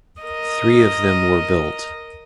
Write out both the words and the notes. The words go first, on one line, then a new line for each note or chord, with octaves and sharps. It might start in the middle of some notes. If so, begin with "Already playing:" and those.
Three of them were built.
A#4 D#5